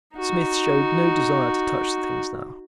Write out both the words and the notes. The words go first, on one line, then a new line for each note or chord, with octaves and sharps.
Smith showed no desire to touch the things now.
D#4 F#4